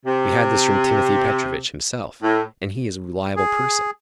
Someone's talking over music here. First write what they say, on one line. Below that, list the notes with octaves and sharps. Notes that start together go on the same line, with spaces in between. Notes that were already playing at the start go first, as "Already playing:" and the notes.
We had this from Timothy Petrovitch himself, and he is a reliable person.
C3
A2
G#4